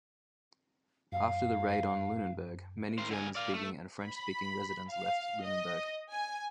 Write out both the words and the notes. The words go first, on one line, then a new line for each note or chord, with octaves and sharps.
After the Raid on Lunenburg, many German speaking and French speaking residents left Lunenburg.
F#2 F5
D#3 C5
D3 G#5
D5 F5
A3
B5
F5
D#5
G#5